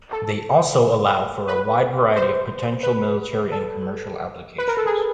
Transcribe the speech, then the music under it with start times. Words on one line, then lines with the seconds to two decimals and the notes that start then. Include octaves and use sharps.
They also allow for a wide variety of potential military and commercial applications.
0.13 A4
1.47 B4
2.16 C5
2.83 B4
3.51 A4
4.58 B4
4.68 A#4
4.77 A4
4.86 G#4